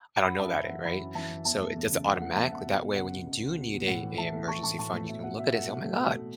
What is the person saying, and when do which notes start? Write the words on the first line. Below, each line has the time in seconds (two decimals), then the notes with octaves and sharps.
I don't know about it," right? So it does it automatically. That way, when you do need a an emergency fund, you can look at it and say, "Oh my god.
0.24 F#2 F#5 B5
0.39 F#2 E5 A5
0.55 F#2 E5
0.69 E3 F#5
0.84 E3 F#5 B5
1.00 F#2
1.15 E3 E5 A5
1.31 F#2
1.45 E2 E5 A5
1.61 A3
1.76 E2
1.91 C#3
2.06 C#3 F#5
2.21 A3 F#5
2.36 E2 E5 A5
2.51 E2 F#5
2.66 B2
2.81 B3
2.96 C#2 F#5
3.12 C#2
3.27 C#2
3.43 C#2
3.58 B2
3.73 B2
3.88 A2 F#5
4.02 E3
4.18 A2 E5 A5
4.33 A3
4.48 E3 A5 C#6
4.63 A2 A5 C#6
4.79 A2 A5 C#6
4.94 A3
5.09 B2 E5
5.24 B2 F#5
5.39 B2 E5
5.54 A3 F#5
5.69 B2 F#5
5.84 A3
5.99 B2
6.15 A3